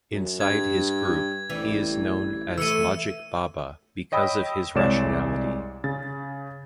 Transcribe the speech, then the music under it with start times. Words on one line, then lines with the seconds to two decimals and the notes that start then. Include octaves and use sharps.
Inside his group, he is known as Logic Baba because of his rationality.
0.12 F#2
0.40 G2 G#6
1.50 A1 E3 G3
2.58 E3 A3 E6 C#7 D#7
4.12 C#5 D#5 G5 B5 D#6 E6
4.75 C2 G#3 C#5 D5 E7
5.84 C#3 A6